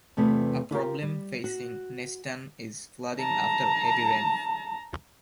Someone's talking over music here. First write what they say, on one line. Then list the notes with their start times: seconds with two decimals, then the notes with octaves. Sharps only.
A problem facing Nesttun is flooding after heavy rain.
0.17 E2 C3 A3 B3 F4
0.71 E4 F4 G4 A#4
1.02 G3
1.44 F#4
3.19 A5 A#5